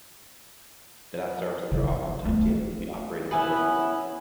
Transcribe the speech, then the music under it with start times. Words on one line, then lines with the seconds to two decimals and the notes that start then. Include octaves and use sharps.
The last services are often timetabled to be operated by buses.
1.71 D#3 F3
2.25 A3 B3
3.31 B3 C#4 E4